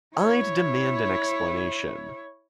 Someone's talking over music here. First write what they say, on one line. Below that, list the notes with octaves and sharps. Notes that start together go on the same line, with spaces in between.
I'd demand an explanation.
E4 C#5